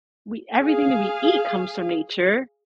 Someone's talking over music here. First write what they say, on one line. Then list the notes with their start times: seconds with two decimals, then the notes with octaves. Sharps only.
we everything that we eat comes from nature.
0.62 G#4 F5